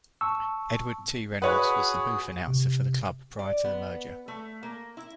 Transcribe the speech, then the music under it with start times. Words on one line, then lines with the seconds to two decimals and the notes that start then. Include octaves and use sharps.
Edward T. Reynolds was the booth announcer for the club prior to the merger.
0.21 A5 C#6 E6
1.42 F#4 G#4 B4 C#5 F#5 B5 D#6 F#6
2.48 C3
3.39 D5
3.64 B3
4.28 A3
4.63 A#3
4.97 E4